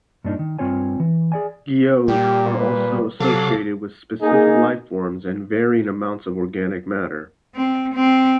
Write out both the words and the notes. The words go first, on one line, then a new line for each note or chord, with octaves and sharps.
Guyots are also associated with specific lifeforms and varying amounts of organic matter.
G2 A#2 D4 D#4
D#3
G2 E3 C4 F4 C#5 G#5
E3
G#4 D5 G#5
A#2 G3 G4
B4
C3 F#3 A4 F5 D6
A#3 D#4 G#4
C4
C4